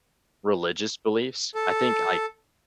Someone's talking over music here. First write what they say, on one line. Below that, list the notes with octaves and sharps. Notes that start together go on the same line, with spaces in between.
religious beliefs, I think, l c
A4